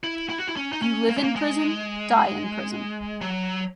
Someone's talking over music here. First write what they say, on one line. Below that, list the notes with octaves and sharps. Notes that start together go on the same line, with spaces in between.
You live in prison, die in prison.
E4
E4
F#4
E4
C#4
D#4
C#4
A#3
G#3
A#3
G#3
F#3